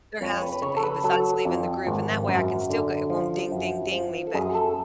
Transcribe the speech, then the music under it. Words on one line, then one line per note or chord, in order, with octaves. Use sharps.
There has to be, besides leaving the group. And that way I can still g it won't ding ding ding me, but
F2 C#5
C#5
B4
B4
C#3 C#5
A4
B4
F#3 A4
F2
G#1
F#2
D3
F3
F#2
F3
A4
F#2 G#4
A4